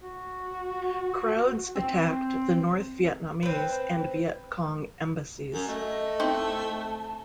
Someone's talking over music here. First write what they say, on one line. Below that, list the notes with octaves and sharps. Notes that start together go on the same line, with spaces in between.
Crowds attacked the North Vietnamese and Viet Cong embassies.
F#4
C4
C4 B4
F#2 A#4
A3 D#5
C4 D#4 E4
A5